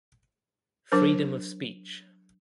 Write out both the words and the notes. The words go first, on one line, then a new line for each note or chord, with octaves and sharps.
Freedom of speech.
F#3 D4 A#4 C5